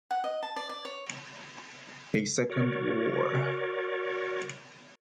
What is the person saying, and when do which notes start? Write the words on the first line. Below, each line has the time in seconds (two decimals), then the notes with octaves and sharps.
A second roar.
0.11 F#5
0.24 D#5
0.43 A5
0.56 D5
0.69 D5
0.85 C#5
2.49 F#4 A#4 C#5 D5